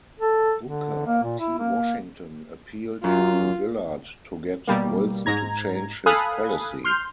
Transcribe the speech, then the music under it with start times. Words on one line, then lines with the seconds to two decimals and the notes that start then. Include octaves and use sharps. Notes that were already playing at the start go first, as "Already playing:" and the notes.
Booker T. Washington appealed to Villard to get Wilson to change his policy.
0.20 A4
0.63 D3
1.06 A#3
1.23 A#2
1.39 E4
1.58 A#3
3.04 F#2 F4
4.67 B2 G3 A#3
5.26 G#2 A#5 G#6
6.06 A4 F5 G#5 B5 D#6 F#6
6.84 C6 F6 G6